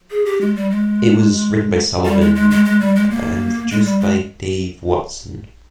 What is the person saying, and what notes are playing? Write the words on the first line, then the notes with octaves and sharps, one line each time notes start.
It was written by Sullivan and produced by Dave Watson.
G#4
G4
G#3
G3
G#3
G3
G#3
G#3
G#3
G#3
G3
G#3
A#3
G#3
G3
G#3